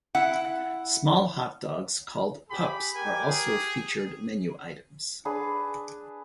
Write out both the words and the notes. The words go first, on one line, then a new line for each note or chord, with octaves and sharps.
Small hot dogs called "pups" are also featured menu items.
E4 F#5
G4 G#4 B5
G4 A#4 G5 G#5
G#4
D4 G#4 B4